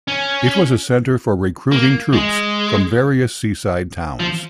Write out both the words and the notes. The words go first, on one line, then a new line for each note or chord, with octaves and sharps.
It was a center for recruiting troops from various seaside towns.
C#4
A#3
G#3
F3